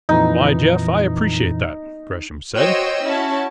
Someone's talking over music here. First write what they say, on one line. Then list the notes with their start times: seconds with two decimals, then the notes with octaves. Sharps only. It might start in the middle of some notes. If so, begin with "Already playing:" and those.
"Why, Jeff, I appreciate that," Gresham said.
0.09 F2 A#2 E3 D#4
2.56 F#4 C5 C#5 D#5 G5 E6
3.05 C#4 E4 F#4 A5